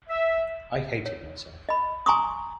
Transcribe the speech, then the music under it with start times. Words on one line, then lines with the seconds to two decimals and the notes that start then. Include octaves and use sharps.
I hated myself.
0.09 E5
1.06 C#5
1.69 D#5 B5
2.06 G#5 A#5 C6 C#6 D#6